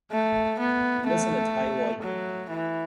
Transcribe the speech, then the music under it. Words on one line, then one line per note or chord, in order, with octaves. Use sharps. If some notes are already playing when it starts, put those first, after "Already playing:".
Listen at high volume.
A3
B3
A3
F#3
E3